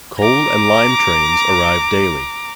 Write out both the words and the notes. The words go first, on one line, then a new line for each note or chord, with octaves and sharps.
Coal and lime trains arrive daily.
A#5 D6